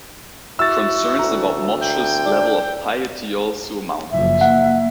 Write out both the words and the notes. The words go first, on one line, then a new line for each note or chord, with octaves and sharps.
Concerns about Moshe's level of piety also mounted.
E4 F#4 E6 A6
D2 A#5
G5
D4
F#1 F3 E5
A#3 F#5